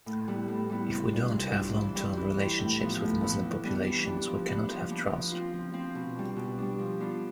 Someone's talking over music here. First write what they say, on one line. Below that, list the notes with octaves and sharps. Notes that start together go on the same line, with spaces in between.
If we don't have long-term relationships with Muslim populations, we cannot have trust.
A2
G3 B3 E4
A2
G3 B3 E4
C3
G3 D4 F4
C3
G3 D4 F4
E3
G3 C4 E4
E3
G3 C4 E4
A2
F3 B3 E4
A2
F3 B3 E4
E3
G3 B3 D4
E3
G3 B3 D4
F3
B3 D4
F3
B3 D4
F3
C4 F4
F3
C4 F4
B2
G3 D4
B2
G3 D4
F3
B3 D4 F4